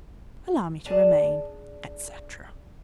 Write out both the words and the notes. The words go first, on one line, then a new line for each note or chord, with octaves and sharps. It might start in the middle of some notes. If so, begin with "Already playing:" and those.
Allow me to remain, etc.
D4 G#4 D5 A5